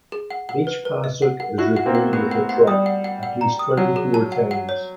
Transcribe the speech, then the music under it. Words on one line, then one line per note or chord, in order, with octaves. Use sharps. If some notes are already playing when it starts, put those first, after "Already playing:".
Each pasuk is reviewed with the tropp at least twenty-four times.
G#4
F#5
F#5
B4
B4
D#5
F#5
F#5
E4 F#4 F#5
F#5
A#3 C4
F#5
A3 B3 F#5
F#5
F#5
G3 D#6
F#5
F#5
F#5
A#5
D#6
F#3 F#5
G#4
A5
F#5
F#5
C#5